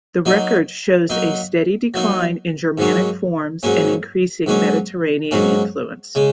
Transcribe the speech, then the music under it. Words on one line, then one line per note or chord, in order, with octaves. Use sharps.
The record shows a steady decline in Germanic forms and increasing Mediterranean influence.
F#3 A#3 D#4
F#3 A#3 D#4
F#3 A#3 D#4
G#2 F#3 A#3 C#4
G#2 F#3 A#3 C#4
G#2 F#3 A#3 C#4
G#2 F#3 A#3 C#4
C#3 G#3